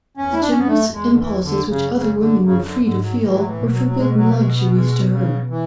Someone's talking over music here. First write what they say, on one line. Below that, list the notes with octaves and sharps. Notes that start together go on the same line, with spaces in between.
The generous impulses which other women were free to feel were forbidden luxuries to her.
E2 C#4
E4
D4
C#4
F#2 B3
A3
E2 G#3
D3
E3
D3
F#2 C#3
C#3
D3
F#2 C#3
D3
G#2 D3
F#3
A2 E3
F#3
E3
B2
F#3
F#3
B2 G#3
F#3
A3
G#3
B3
G#3
C#3
E3